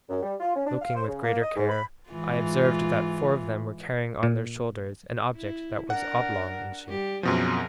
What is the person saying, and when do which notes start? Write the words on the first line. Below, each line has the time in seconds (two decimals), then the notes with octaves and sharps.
Looking with greater care, I observed that four of them were carrying on their shoulders an object that was oblong in shape.
0.09 F#2
0.23 G3
0.40 F4
0.55 C#4
0.67 D4
0.81 F5
0.95 C5
1.07 C#3
1.23 A#3
1.42 D#5
1.56 G#2
1.69 B5
2.10 G#2 E3 F4
4.23 A#2
5.36 E4
5.90 D4 A#4 F#5
6.88 G3 G4
7.23 F#2 B2 F3 C4 G#4 A#4